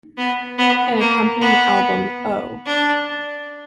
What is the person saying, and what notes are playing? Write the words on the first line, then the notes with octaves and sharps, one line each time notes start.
An accompanying album, Oh!
B3
B3
A#3
B3
D4